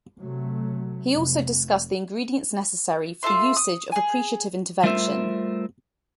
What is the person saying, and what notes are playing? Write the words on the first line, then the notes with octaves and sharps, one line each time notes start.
He also discussed the ingredients necessary for the usage of appreciative intervention.
C3 F#3 A3
F1
F4 A4 E5 C6
D#6
G#4 G#5
G3 A3 F4 A#4 C5 E5